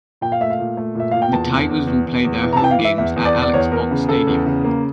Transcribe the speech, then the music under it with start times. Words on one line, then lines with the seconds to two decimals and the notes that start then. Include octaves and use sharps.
The Tigers will play their home games at Alex Box Stadium.
0.21 A#2 G5
0.32 F5
0.40 A3 E5
0.50 F5
0.59 A#2
0.77 A3
0.95 A#2 E5
1.11 A#2 F5
1.22 G5
1.32 E2 A5
1.51 E2
1.69 E2
1.87 E2
2.06 E2
2.24 E2
2.43 E3
2.53 A#5
2.57 A5
2.62 E3 G5
2.71 F5
2.79 E3
2.85 E5
2.98 E2 E5
3.16 E2
3.25 D5
3.35 E2
3.42 D5
3.54 E2 C#5
3.72 E2 A#4
3.91 C#3
4.09 C#3 A4
4.27 E2
4.46 C#3
4.64 A#3